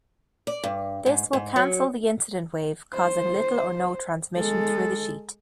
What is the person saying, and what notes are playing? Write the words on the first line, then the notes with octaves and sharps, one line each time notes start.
This will cancel the incident wave causing little or no transmission through the sheet.
D5
G2
G#2
G#2
F#3
C5
G#3 A4